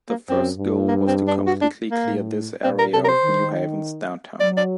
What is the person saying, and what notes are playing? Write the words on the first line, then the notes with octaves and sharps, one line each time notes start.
The first goal was to completely clear this area of New Haven's downtown.
A#3
F#2 C4
G2
A#3
C4
D4
F#4
D4
A#3
A2
A#2 C4
A#4
C3 A4
A#4
C5
D#3
F#3 D5
D5